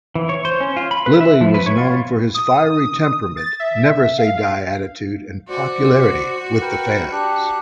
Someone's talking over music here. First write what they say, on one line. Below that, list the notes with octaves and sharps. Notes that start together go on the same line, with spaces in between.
Lillee was known for his fiery temperament, 'never-say-die' attitude and popularity with the fans.
E3
C#5
C5
C#4
F4
B5
B4
E5
F3
B4
C#5
F4
D#6
A6
E5
F5
F#4 C5 D5
A#4 B4 G5
D4 G4 F#6